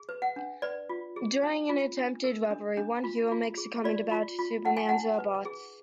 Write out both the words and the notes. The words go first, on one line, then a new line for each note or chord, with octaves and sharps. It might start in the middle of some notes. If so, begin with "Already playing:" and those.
During an attempted robbery, one hero makes a comment about "Superman's robots".
Already playing: G#4
B4
F#5
D4
B4 D5
F4
G#4
D4
F4
D4
A#4
D4
D4
F4
F4
G#4
F4 D5
F4
F4
D#4 F#5
G#5
D#4 F#5
B4
G#4